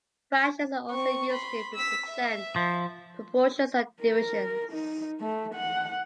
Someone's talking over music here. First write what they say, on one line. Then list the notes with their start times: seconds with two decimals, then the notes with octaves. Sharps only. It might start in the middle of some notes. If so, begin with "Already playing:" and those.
Fractions are also used to represent proportions and divisions.
0.91 C4 C#6
1.33 B5 C6
1.75 E6 B6
2.07 E5
2.56 F3
4.02 A#4
4.72 D#4
5.20 A3
5.55 F#5